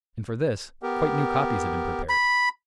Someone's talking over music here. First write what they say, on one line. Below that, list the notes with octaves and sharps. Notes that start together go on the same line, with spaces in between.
And for this, quite new copies had been prepared.
B3 G4 A#4
B5